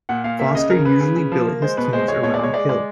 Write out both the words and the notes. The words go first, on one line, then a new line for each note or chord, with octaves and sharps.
Foster usually built his teams around Hill.
A#2 F#5
A#2 F5
A#3 E5
C#3 D#5
C#3 A#4
C#3 B4
C#3
C#3
F3
A#3
G#3 C5
B2 B4
G#3 C5
G#3 C#5
B2 C#5
D5
G#3 C#5
G#3 D5
G#3 D5